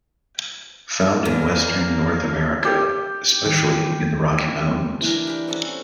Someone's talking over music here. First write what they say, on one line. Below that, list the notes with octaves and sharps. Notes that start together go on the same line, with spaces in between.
Found in western North America, especially in the Rocky Mountains.
E2 A#3
G4
D#3 E3 G3
E3 D4 A#4
G4 B5
C4 C#4 F#4 A4